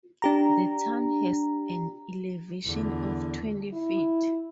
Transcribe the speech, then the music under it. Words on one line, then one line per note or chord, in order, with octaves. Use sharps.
The town has an elevation of twenty feet.
D4 G4 A#5
E2 D3
E4